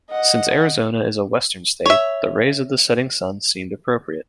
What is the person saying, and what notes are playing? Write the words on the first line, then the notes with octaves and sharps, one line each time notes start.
Since Arizona is a western state, the rays of the setting sun seemed appropriate.
D#5 F#5
C#5 E5